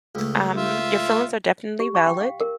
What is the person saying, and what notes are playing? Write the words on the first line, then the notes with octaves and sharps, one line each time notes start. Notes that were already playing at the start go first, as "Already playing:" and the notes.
Um, your feelings are definitely valid.
C#2 A3
F4 E5
G4
C#6
G5
F5
A#4